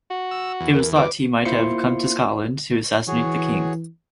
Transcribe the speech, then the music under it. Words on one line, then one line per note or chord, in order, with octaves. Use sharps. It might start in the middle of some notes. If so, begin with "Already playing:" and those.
It was thought he might have come to Scotland to assassinate the king.
F#4
E6
E2
E2 A#4
B4 D6
A#3 E4 F4 C5 C6 C#7
E3 F#4 G#4 C#5